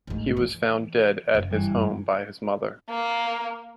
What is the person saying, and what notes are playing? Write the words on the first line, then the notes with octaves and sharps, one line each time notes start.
He was found dead at his home by his mother.
A1 G#2
E3
F#1
G2 E3
A#3